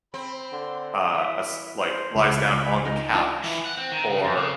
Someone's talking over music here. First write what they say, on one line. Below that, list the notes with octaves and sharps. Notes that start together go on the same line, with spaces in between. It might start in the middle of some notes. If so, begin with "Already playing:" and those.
uh, a s like, lies down on the couch or
C4 B5
D3 F#5 C6
E3 E5
C5
C#2 B5
D#4
E3 D4 F4 D5
E3
F#5
C4
D#3
C#3
F2
C#3